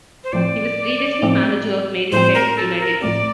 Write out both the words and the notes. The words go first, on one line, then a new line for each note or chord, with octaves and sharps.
He was previously manager of Maidenhead United.
C5
A2 F3 A3 C4 D5
A2 F3 A3 C4
A2 F3 A3 C4 C5
A#4
A4
A#4
A2 F3 A3 C4 D5